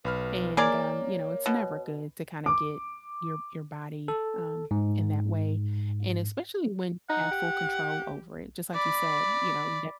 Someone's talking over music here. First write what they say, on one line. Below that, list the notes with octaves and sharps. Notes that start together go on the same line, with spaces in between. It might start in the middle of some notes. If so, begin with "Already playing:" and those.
And, um, you know, it's never good to kinda get your your body, um, in that way. And especially when you have full control over it, just like you said, you know, you d
B1 B4 B5 F6
A#3 G#4 A#4 C#5 D5
B2
D6
A4
G#2
D#4 F#5
G4
D5 B5